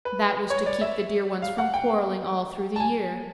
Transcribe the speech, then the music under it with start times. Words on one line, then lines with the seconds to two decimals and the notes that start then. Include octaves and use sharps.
That was to keep the dear ones from quarreling all through the year.
0.05 B4
0.50 C#5
0.66 D5
0.81 E5
1.42 F5
1.58 F#5
1.74 G5
2.76 A5
2.80 G#5